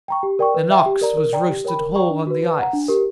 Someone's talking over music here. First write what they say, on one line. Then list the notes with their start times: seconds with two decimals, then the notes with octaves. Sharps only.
An ox was roasted whole on the ice.
0.08 G5 A#5 C#6
0.23 G4
0.39 A#4 D5 G5 C#6
0.54 B4
0.70 E5 G5
0.86 G4
1.01 A#4 D5 A#5
1.17 A#4
1.33 D5 G5 A#5
1.49 G4
1.65 A#4 C#5 G5 B5
1.79 A#4
1.95 D5 G5 A#5 C#6
2.11 D4
2.27 F#4 B4
2.42 B4
2.58 F#5 A#5
2.73 D4
2.88 G4 A#4